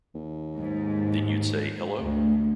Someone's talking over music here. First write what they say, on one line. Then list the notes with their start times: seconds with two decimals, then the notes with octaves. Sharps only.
Then you'd say, 'Hello!'
0.15 D#2
0.57 G#2
2.01 D2